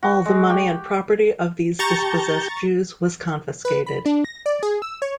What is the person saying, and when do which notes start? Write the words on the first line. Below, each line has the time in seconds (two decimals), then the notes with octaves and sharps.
All the money and property of these dispossessed Jews was confiscated.
0.03 F#4
0.25 G#3
0.50 G4
1.79 G4 A5 A#5 C#6 G6 A6
3.65 B4
3.86 B5
4.06 D4
4.24 A#6
4.46 D5
4.63 G#4
4.82 E6
5.02 C#5